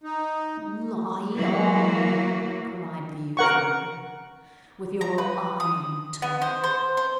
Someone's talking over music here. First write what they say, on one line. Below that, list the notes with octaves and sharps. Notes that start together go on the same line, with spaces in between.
'Lie on!' cried the usurer, 'with your iron tongue!
D#4
E3 F#3 A#3 E4 F#4
A#4 F#5 C#6
A#5
B4
D#6
B3
C5
C5
C5